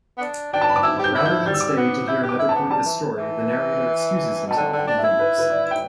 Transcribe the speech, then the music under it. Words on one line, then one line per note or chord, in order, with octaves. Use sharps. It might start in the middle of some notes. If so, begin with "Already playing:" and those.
Rather than stay to hear another pointless story, the narrator excuses himself and leaves.
B3
D4
D4 G5
A5
B5
D6
E4 E6
G4
G6
E4
E4 G6
G3 G6
E6
D6
E6
B3
E4 G6
G4
D6
E4
A5
B3
G3 A5
E3
E3
B2 A5
D3 G5
D3
G5
D4
E5
E4
B4
B4
D5
G5